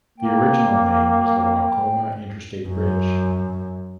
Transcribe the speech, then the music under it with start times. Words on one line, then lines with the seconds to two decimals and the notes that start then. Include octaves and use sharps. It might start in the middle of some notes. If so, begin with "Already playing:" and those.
The original name was the Waucoma Interstate Bridge.
0.18 A#3 G5
2.68 F#2